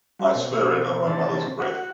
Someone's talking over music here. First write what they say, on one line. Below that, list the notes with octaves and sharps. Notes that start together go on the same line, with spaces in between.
I swear it on my mother's grave.
G3 F#4
B2 C4
C3 D#3 E3 C4 A5
F#4 F#5